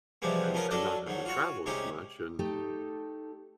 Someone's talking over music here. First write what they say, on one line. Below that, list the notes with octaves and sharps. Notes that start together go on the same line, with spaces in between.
and and not have to travel as much and
C3 E3 F3 G3 G#3 B3
F3 B3 C#4 A#4 B4
F#3 D4 A4 D5 D#5
G#2 D#3 F#3
F4 F#4 C#5
C2 G#3 C#4 D#4 G4
A3 D#4 G4 A4